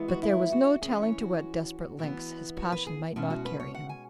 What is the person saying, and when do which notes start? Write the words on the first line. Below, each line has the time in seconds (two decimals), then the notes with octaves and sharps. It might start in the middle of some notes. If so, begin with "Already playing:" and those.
But there was no telling to what desperate lengths his passion might not carry him.
Already playing: E3 G#3 B3
0.08 F#4
0.23 E4
0.52 F#4
0.82 E3 C#4 G#4
1.02 C#5
1.21 F#4
1.99 E3 B3
2.57 F#4
2.72 B4
2.87 G#4
3.16 B2 G#3 C#4 E4
3.30 F#4
3.45 B4
3.60 C#5
3.75 F#5
3.89 G#5